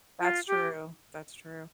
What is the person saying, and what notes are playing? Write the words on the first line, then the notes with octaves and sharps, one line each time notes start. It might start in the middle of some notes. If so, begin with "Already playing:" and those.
That's true, that's true.
F4
G4